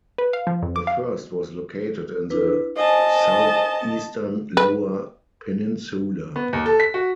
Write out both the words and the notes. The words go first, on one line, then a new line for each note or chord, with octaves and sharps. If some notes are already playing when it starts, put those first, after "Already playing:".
The first was located in the southeastern Lower Peninsula.
B4
F5
F3
F2
D6
F5
D4 E4 B4
C5 D#5 G#5 A5
B4
B3
D#2
A4
B6
F#4